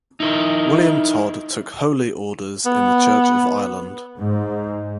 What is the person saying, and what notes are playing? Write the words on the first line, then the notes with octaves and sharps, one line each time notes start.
William Todd took holy orders in the Church of Ireland.
D#4 E4 A#4
B3
G#2